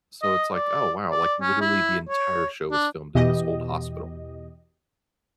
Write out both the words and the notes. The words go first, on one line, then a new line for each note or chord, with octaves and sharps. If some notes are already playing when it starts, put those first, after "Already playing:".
so it's like, oh wow, like literally the entire show was filmed at this old hospital.
D#5
D5
D5
C#4
E4
C#5
D4
E2 B2 E3 G4 D#5